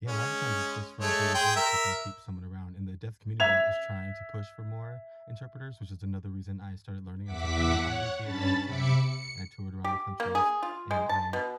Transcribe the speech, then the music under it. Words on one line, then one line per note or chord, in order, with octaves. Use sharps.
Yeah. A lot of times, it's just for big events that they'll keep someone around, and the deaf community is trying to push for more interpreters, which is another reason I started learning. I was, like, "Oh, I do theater all the time," and I toured around the countries. And I
G#3 C#4
G#3 A3 C#5
G#4 G5 C6
A#4 E5
E5 G#6 F7
E2 E5 F#5 D6 B6
C#5 F#5
G2 C#4 A5 B5 A6
C3 E5 B5 D6 C#7
C#7
G4
A#3
G#4
F4
G#3
A5
B2